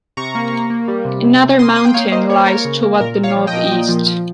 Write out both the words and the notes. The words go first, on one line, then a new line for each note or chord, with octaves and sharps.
Another mountain lies toward the northeast.
C3 A#5 C#6
A#3
A#3
A#3
G3
C3
C3
C3
A#3 C6 D#6
A#3 C6 D#6
G5
A#3 C#5 F5
A#3 C5 D#5
A#3 C#5
C5
A#3 A#4 C#5
C#3
A#3
A#2 A#4
A#2
C#5 F5
F3
D#5 G5
A#2
A#2
F3
F3